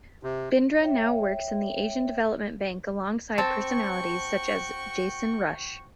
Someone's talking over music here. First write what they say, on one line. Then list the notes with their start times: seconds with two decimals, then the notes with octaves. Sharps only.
Bindra now works in the Asian Development Bank alongside personalities such as Jason Rush.
0.23 C3
0.81 C#5 E5 G5
3.38 C4 F#4 G5 A5 C#6